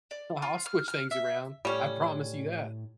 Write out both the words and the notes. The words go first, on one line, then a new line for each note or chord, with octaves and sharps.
Oh, I'll switch things around, I promise you that.
D5
F4
F6
F6
E5
A2 G3 C#4